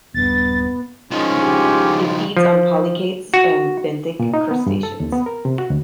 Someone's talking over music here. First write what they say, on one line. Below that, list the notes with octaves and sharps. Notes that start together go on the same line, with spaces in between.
It feeds on polychaetes and benthic crustaceans.
D#1 G2 B3 A6
D#3 F3 G#3 C#4 F4
G4
F3
F#4
A#2
D#4
B3
G2
A4
D#2
B3
A#4
C3
F#4
D2